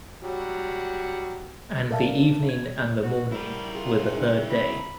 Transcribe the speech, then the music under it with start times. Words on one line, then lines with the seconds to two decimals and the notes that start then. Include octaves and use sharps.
And the evening and the morning were the third day.
0.22 F#3 G3 F#4
1.90 A4 A#4 D5 E5 F5 A5
2.49 G#6
3.02 F#4
3.32 G3 E4 A#4
3.75 F4 G#4
4.14 D4 D#4 G#4
4.50 C4 B5